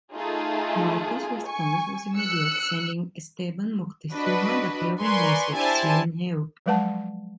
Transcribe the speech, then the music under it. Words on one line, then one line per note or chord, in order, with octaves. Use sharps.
Marcos response was immediate, sending Esteban Moctezuma the following message: "See you in hell".
A3 D#4 F4 G#4
G#5 C#6
E6 F#6 C#7
D4 F#4 B4 D#5
A#4 B4 D5 G#5 C6 C#6
D4 E4 G4 C5 G#5 A5
F3 F#3 G#3 B4 F#5 A5